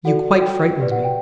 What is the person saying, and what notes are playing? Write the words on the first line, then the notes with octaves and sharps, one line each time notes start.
You quite frightened me.
F#4 A4 D5 F#5
G5
G4 B4 D5
F#5
G5